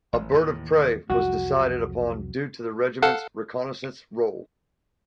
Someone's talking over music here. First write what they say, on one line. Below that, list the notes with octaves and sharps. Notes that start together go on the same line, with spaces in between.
A bird-of-prey was decided upon due to the regiment's reconnaissance role.
A1
D#2 A2 E3
C2 F2 F#3 F#4
A4 F5 F#5